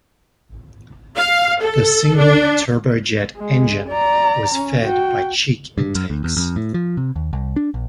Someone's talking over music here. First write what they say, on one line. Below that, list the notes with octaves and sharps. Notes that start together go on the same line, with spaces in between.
The single turbojet engine was fed by cheek intakes.
F5
A4
D4
G#3
D5 A#5
C#4
F#4 G5
G2
F#2
D2
E2
F2
A2
F3
C3
D#2
C2
D4
A#1